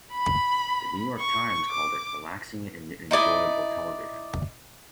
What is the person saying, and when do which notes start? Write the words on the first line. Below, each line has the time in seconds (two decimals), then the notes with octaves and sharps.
The "New York Times" called it "relaxing and enjoyable television".
0.12 B5
1.19 C#6
1.69 D6
3.11 D#4 E4 D5 D#5